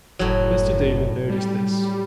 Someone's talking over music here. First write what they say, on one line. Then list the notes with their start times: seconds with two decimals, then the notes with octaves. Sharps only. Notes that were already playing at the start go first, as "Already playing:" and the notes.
Mr. Damon noticed this.
0.19 F#1 A2 F#3
1.29 G3